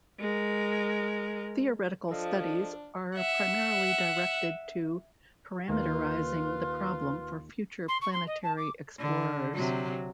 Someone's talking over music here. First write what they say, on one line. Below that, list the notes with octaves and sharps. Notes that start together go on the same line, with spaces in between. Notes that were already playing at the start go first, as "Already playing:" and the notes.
Theoretical studies are primarily directed to parameterizing the problem for future planetary explorers.
G#3 A#4
F3 D4 A4 D#5 F5
E5 F#5
D#2 A#3 F4 B4
C6
C#6
C6
D#5
A5
D6
D3
C3 F#3